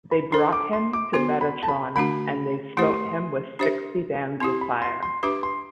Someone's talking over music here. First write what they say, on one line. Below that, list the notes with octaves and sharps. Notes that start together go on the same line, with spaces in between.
They brought him to Metatron and they smote him with sixty bands of fire.
B5
D4 A4 C5 C6
D6
C6
D6
B3 F#4 C5 C6
B5
A5
B5
D3 A3 D4 F#4 B5
A3 E4 G4 C5 C6
D4 G4 C5 E5
C4 E4 G4 C6
B5
C6
C6
D4 G4 B4 E5 D6
C6